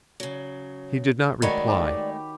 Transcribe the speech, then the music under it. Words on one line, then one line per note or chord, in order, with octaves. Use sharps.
He did not reply.
C#3 F#3
D#3 G#3 A3 F#4 C#5 D5 B5
G4